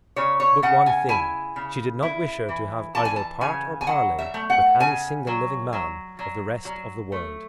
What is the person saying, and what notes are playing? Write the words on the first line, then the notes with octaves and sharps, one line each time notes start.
But one thing, she did not wish her to have either part or parley with any single living man of the rest of the world.
C#3 C#5
C#5
C#3 F#5
G#5
E4 G#5
C#3
E4
E3
E3 A5
G#5
A5
C#3 G#5
G#5
F#3 F#5
E5
A3
F#5
C#3 G#5
F#3
F#3
F#3
F#3
A3